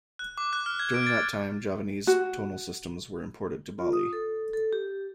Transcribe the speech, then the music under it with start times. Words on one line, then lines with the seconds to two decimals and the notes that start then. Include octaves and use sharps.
During that time, Javanese tonal systems were imported to Bali.
0.19 F#6
0.38 D6
0.53 F#6
0.66 F6
0.79 G#6
0.94 D7
1.06 A6
2.07 F#4
3.79 F4
3.93 D#6
4.13 A4
4.54 A4
4.73 G4